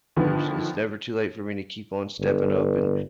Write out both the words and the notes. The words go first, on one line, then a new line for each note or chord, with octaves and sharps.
there's it's never too late for me to keep on stepping up, and
D3 D#3 F3 B3
G1